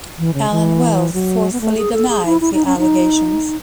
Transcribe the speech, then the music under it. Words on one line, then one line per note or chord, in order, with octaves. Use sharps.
Allan Wells forcefully denies the allegations.
E3
C#3
E3
F#3
B3
A3
G#4
A4
G#4
E4
E4
D#4
C#4
D#4